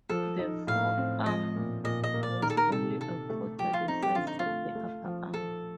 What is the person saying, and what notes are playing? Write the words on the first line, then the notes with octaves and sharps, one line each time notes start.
The forearm was only a quarter the size of the upper arm.
F3 A4
D#4
A2 F5
C4
F3 D#5
A#2
A#2 D#5
D#5
A#3
D5
D#3 A#4
A4
A#4
C3 A4
C3 A4
A3
F3 G4
F4
C4 D#4
G4
D3 F4
D#4
F4
A3
A3
F3
F3 A4